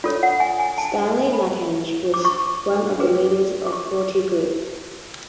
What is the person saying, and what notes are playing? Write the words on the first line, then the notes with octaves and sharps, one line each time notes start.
Stanley Mathenge was one of the leaders of Forty Group.
F4 A4 C#5 D5
F#5
G#5
G#5
A5
G#5
B5
D6
C#6
C#4 G#4 B4
D6
C#6